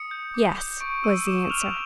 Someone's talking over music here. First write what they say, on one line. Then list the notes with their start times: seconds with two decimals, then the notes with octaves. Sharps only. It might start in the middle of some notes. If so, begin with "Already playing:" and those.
"Yes," was the answer.
Already playing: D#6 C#7
0.11 G6
0.34 D6
0.58 G6
0.80 C#6 D7
1.04 E6 D#7
1.27 D6 E7
1.50 F6 F7